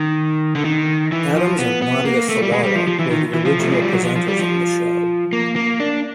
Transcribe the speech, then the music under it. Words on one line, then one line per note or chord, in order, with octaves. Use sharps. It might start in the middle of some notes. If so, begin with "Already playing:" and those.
Adams and Nadia Sawalha were the original presenters on the show.
Already playing: D#3
D3
D#3
E3
F3
B3
B3
A#3
A3
G3
G#3
G3
F3
F3
E3
D#3
E3
F3
A3
G#3
G3
F#3
F3
F3
G3
F3
A#3
A#3
D4